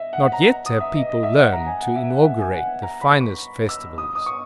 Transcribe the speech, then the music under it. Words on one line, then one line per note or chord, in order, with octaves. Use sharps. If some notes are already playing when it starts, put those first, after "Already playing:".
Not yet have people learned to inaugurate the finest festivals.
Already playing: D#5 E5
F#5
A#5
D#6
E5
D#5
D#5
E5
F#5
A#5
G#5
F#5
E5
F#5
E5
G#5
F#5
A#5
B5
C#6
E6
D#6
D#6
C#6